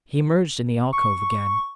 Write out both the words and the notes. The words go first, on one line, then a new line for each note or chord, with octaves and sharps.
He emerged in the alcove again.
C#6